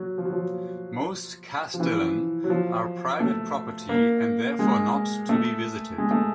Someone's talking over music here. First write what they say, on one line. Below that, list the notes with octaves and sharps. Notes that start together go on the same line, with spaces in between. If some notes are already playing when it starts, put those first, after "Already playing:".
Most "kastelen" are private property and therefore not to be visited.
Already playing: F#3
F3
F#3
F3
F3
E3
F#3
F3
A3
A#3
G#3
A3
G#3
A3